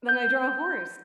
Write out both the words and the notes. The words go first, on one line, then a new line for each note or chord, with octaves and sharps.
Then I draw a horse.
G6